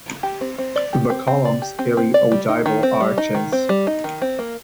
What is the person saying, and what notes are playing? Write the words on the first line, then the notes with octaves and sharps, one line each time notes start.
The columns carry ogival arches.
G4
C4
C4
D5
G4
C4
C4
D5
G4
C4
C4
D5
G3
D#4
D#3
C4
G3
D#4
D#3
C4
G3
D#4
D#3
C4
A#3